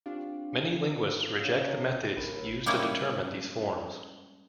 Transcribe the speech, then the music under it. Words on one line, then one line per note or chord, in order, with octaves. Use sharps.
Many linguists reject the methods used to determine these forms.
C4 D4 F4 G4 F5
C#3 F#3
A1 D#2 A#4 B5
G3 G#3 A#3 C#4 E4